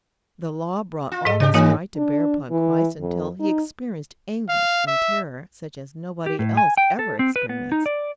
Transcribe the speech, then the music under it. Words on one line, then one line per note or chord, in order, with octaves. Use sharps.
The Law brought all its fright to bear upon Christ until He experienced anguish and terror such as nobody else ever experienced.
F4
G#2 A4 D#5
C#3 D4 G4 D#5
D#3 G3 A#3 D#4 C#5 D#5
D4
E3
F2
D#4
F5
E5
G4
A2
G#5
G5
A4
C4
B4
B3
D#4
D5